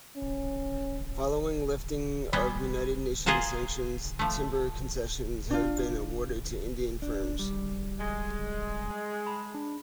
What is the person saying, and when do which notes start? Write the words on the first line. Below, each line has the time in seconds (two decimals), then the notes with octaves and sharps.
Following lifting of United Nations sanctions, timber concessions have been awarded to Indian firms.
0.16 C#4
2.33 G3 G#3 B3
3.26 F4 G#4 A#4 F#5 A5
4.19 F3 A3
5.50 D4 F4
7.02 D4
7.39 G3
7.99 G#3
9.26 A5 B5
9.54 D4